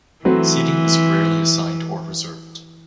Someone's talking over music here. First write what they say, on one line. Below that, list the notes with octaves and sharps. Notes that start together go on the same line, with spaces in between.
Seating is rarely assigned or reserved.
E3 F#3 A3 C4 F#4 B4